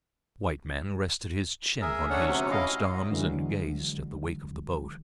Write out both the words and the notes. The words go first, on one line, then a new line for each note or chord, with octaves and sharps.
The white man rested his chin on his crossed arms and gazed at the wake of the boat.
G#4 A#4 E5
A3 C#4 D4 A4 C#5 F#5
D2 C3 F#3 C#4
C#4 E4 D#5 F5
D3 E3 F#3 G#3